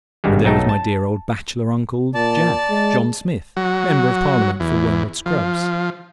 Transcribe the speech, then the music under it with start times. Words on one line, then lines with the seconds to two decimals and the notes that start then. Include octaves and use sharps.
And there was my dear old bachelor Uncle Jack--John Smith, Member of Parliament for Wormwood Scrubbs.
0.24 G#1 G2 G3 G#3
0.44 B1 F#3 A3 D#4 G5 A5
0.69 A5
2.14 A#2 D5 A5
2.70 G#3
3.57 F#3
4.60 E2
5.26 F3